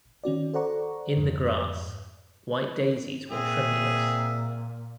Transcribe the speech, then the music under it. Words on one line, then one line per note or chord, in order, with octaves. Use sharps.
In the grass, white daisies were tremulous.
D#3 C#4 F#4 D5
A4 C5 D5 F#5 A#5 C#6
F2 G#2
A#2 C4 G#4 E5